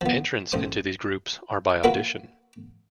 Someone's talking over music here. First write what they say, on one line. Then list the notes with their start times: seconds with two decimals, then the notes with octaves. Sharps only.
Entrance into these groups are by audition.
0.01 F3 B3
0.52 A1 C5 D#6
1.84 A#3 F4 F#4 B4 E5 F#5